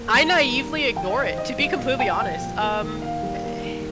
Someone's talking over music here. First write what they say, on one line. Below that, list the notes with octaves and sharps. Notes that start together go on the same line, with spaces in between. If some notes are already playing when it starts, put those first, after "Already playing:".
I naively ignore it, to be completely honest, um, eh, eh,
Already playing: A#3
G3 A#5
D#3
D#3
D#3
D#3 G5
D#5
D#3
C5
D#3 D#5
G3 F5
A#2 F5
A#2 G5
F3 G5
A#2
A#3
D#3
D#3 F5
G3
A#3
D#3